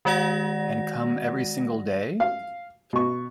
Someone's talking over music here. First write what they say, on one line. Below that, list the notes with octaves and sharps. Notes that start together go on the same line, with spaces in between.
And come every single day?
D#3 G#3 F#4 D5 F#5 A#6
F5
B2 C#6